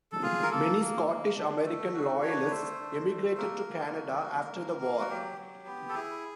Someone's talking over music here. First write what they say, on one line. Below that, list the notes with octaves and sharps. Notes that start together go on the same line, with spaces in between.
Many Scottish American Loyalists emigrated to Canada after the war.
A4
F4 G#4
A#4
A#3 A4
A#3
A#3
D4
A3
F#4
D4 C#5
B4
A3 C5
D4
A3
A#3 A#4
A#3
F#4
A#3
A#3
A#3
F#4
F#3 G4
F#3
B3
A4
E4 G#4